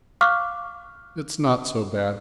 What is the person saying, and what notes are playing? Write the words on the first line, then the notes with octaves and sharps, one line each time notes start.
It's not so bad.
F5 C#6 D6 F6 F#6